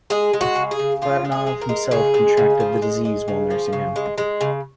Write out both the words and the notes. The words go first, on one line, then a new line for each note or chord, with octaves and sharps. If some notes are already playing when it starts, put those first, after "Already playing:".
Platonov himself contracted the disease while nursing him.
G#3 G#4
G#3
F#4
C#3
G#4
C#3
F3 F4
G#3
G#4
G#3
A#4
G#3
C#3 G#4
G#3
C#3
F3
G#3
G#3
C#3
F3
C#3
G#3
G#3
C#3